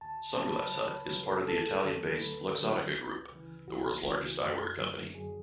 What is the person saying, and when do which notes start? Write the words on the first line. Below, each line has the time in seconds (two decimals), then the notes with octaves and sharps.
Sunglass Hut is part of the Italian-based Luxottica Group, the world's largest eyewear company.
0.01 D2 A5
0.38 C#3 F#3 A5
0.50 B5
0.62 A5
0.74 D2 C#5
0.99 B4
1.11 C#3 F#3
1.24 A4
1.48 D2 A4
1.85 D3 F#3
2.21 D2 B4
2.58 D3 F#3
2.94 C#2
3.31 C#3 E3
3.68 C#2 F#4
4.05 C#3 E3
4.41 F#2
4.78 D3 F#3
5.15 F#2 G#4